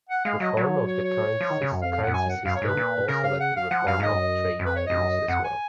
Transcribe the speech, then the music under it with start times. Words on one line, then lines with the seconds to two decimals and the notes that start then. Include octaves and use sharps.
Reform of the currency system also led to reform of trade rules as well.
0.09 F#5
0.25 G#3 F5
0.40 F#3 D#5
0.56 F#3 C#5
0.88 C#5
1.04 C#5
1.40 F3
1.50 D#3
1.62 C#3
1.72 F#2
1.82 F2 F5
1.93 F5
2.03 F2 F#5
2.13 F#2 G#5
2.29 F#5
2.45 F#2 F5
2.55 C#5
2.62 G#2 B4
2.77 A#2
3.08 C#3 A#4
3.24 F5
3.40 F#5
3.56 F5
3.70 F3 F#5
3.87 F#2 F5
4.00 G#2 D#5
4.13 F#2
4.59 F#2
4.65 F2 B4
4.76 C#5
4.86 F2 D#5
4.97 F#2
5.28 F2 F#5
5.44 G#5